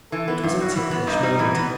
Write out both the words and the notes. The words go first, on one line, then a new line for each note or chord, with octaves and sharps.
It was a ticklish moment.
E3 A4
B3
G2
G3 F#4
E3
B3
G2 D#4
G3
E3
B3